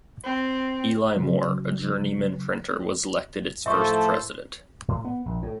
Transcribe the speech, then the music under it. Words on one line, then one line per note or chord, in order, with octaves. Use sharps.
Ely Moore, a journeyman printer, was elected its first president.
C4
C#3 F#3
A2 F3 A3 A4 C5 E5 C#6
A2
B3
A#1
A2